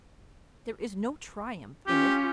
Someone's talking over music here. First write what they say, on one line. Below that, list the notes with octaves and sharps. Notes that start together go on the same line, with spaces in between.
There is no triumph in it.
C#4 F4 G4